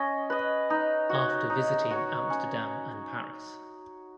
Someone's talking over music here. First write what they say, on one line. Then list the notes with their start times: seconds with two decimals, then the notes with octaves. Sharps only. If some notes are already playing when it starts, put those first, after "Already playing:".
After visiting Amsterdam and Paris.
Already playing: C#4 D#5
0.30 B4 D#5
0.70 D#4
1.09 F#4 C#5
1.50 D#4
1.91 F#4 C#5
2.30 C#4